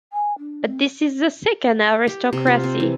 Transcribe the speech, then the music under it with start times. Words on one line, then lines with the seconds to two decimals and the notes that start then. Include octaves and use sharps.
But this is the second aristocracy.
0.13 G#5
0.39 D4
0.67 C4
2.07 G4
2.33 C3
2.47 F4
2.64 C4
2.80 E3